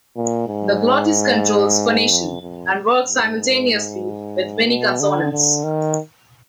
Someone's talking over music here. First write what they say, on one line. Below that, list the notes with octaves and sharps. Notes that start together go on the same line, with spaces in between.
The glottis controls phonation, and works simultaneously with many consonants.
A#2
G#2
F2
F2
G#2
B2
D3
D3
D#3